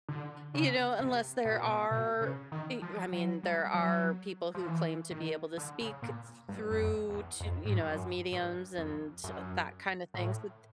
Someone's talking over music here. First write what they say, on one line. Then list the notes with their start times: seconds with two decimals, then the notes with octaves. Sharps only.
you know, unless there are i I mean, there are people who claim to be able to speak thr through to you know as mediums and t that kind of things, th th
0.09 D3
0.54 C#3
0.99 C3
1.45 B2
1.55 A#2
1.65 B2
1.91 B2
2.21 C#3
2.52 D#3
2.82 F3
3.12 F#3
3.43 G3
3.74 F#3
4.54 F3
4.66 E3
5.11 D#3
5.57 D3
5.81 C#3
6.02 A#2
6.49 G2
6.71 F#2
6.79 F2
7.10 E2
7.40 F2
7.65 G#2
7.76 G2
7.86 F#2
8.32 G2
8.78 F2
9.24 F#2
10.14 A2